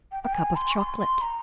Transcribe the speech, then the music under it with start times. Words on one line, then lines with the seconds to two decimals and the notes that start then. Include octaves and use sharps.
"A cup of chocolate."
0.12 G5
0.23 G5
0.33 G#5
0.55 C6
0.71 C#6
0.77 C6
0.99 C6
1.21 A#5